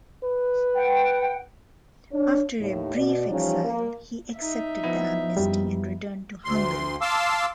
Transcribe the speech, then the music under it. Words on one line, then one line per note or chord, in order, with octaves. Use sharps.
After a brief exile he accepted the amnesty and returned to Hungary.
B4
F#5 G5
D4 C#5
D#2 A2
B2 D5
E3 F3 G3 C#4 D#4 F4
A#3
D#4 E5
F3 B3 E4
F#2 G3
D2 C6
F5 A5 C6 D6 E6